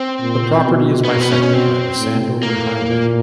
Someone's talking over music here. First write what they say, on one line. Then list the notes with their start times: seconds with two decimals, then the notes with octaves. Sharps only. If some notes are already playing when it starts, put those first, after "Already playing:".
The property is bisected by the Sandover Highway.
Already playing: C4
0.20 A#2
0.65 B2
1.05 B3
1.10 A#3
1.20 B3
1.31 C#4
1.42 C#4
1.54 C4
1.98 A2
2.43 A2 A#3
2.87 A#2